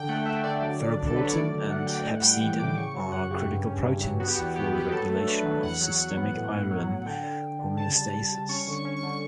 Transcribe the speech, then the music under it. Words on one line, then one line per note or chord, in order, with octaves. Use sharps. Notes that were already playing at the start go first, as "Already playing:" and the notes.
Ferroportin and hepcidin are critical proteins for the regulation of systemic iron homeostasis.
Already playing: D3 G5
A3 F#5
A3 E5
D3 D5
F#3
D3
D4
A4
F#3 B4
C#5
A3 D5
D3
A3 F#5
A3 G5
A2
F#5
G3 G5
E3 F#5
A2 D6
C#3 C#6
F#3
F#2 F#5
C#3 G4
G2
C#4
G2
F#3
B3 F#4
G4
E2 F#4
B3 G4
B3
G4
F#3 A4
A3
D4 B4
F#3
E2 F#5
F#3
F#3
B3
A2
B3
F#3
F#3
D3 G5
D3
D3
D3
C#3 A5
G3
G3
G3
C#4 C#6
D3
C#6
C#4
C#6
D3
C#6